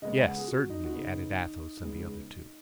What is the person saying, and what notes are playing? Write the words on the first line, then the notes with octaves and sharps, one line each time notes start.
"Yes, certainly," added Athos and the other two.
C#3 G#3 B3 D#5
G#5
F#5
G#4
F#4
D#4
F#4
C#3 B3 D#4
C#3 G#3 B3